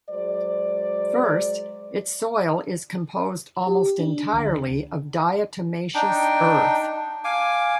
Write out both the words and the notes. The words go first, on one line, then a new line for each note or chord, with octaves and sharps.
First, its soil is composed almost entirely of diatomaceous earth.
F#3 G#3 C5 D5
G4
D4
D2
D4 D#4 G5
F5 G#5 D6